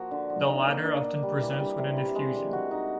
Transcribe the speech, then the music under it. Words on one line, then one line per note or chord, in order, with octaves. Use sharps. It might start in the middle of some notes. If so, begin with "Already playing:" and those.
The latter often presents with an effusion.
Already playing: F3 A#3 F#4
D3
F3
D#4
A#3
D4
D4
G3
E3
G3
C3
G3
G#3
G#3
F#4
D#4